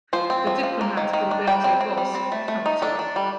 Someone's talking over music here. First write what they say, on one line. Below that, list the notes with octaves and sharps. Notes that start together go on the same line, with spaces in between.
The diplomat Gilberto Bosques helped him.
F3 C5
C4
F3
F3
A#3
D#3
D#3
D4
G3 G5
C4
C4
G3
C4
A3
A3
D#4
D4 A4
D4
G3